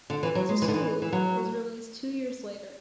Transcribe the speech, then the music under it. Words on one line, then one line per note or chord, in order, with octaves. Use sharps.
Sisulu was released two years later.
D3
E3
F#3
G#3
E3
D3
E3
E3
F#3